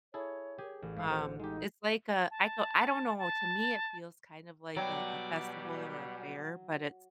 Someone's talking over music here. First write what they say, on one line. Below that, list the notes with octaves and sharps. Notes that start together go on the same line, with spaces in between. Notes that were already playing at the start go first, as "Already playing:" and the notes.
Um, it's like a I go I don't know, to me, it feels kind of like a a festival or a fair, but it's
E4 G#4 A4 C#5
G4 G#4
A1
G#2 G#4 F5
C4 F#4 C5
G#3 D#4 G4
A5
A5
B2 F#3 G3 D5 G5 B5